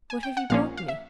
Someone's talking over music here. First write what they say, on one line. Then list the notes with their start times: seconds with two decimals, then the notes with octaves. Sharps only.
What have you brought me?'
0.10 G#5
0.23 G5
0.37 F#5
0.50 A#1 A#2 F3 A#3 C#4 F5
0.77 F5
0.88 E5